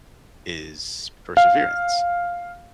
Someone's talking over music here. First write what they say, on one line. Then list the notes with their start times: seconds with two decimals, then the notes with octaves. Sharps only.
is perseverance,
1.37 F5